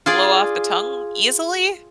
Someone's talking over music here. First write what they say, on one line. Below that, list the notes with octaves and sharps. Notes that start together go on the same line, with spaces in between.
flow off the tongue easily
F4 G#4 D5